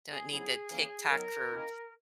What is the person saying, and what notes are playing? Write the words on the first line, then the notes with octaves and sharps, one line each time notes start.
don't need the TikTok for
G#4
G#2 F#3 B3 E4 G#4
E2 C#3 E3 A#3 C#4
D#3 F#3 B3 A#4
D#3 A#3 C#4 E4